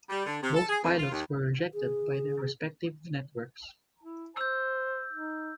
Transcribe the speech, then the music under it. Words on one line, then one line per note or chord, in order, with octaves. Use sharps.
Both pilots were rejected by their respective networks.
G3
D3
C3
A4
G#4
F2
F4
D#2
G#4
E4
C5 E6 G6
D#4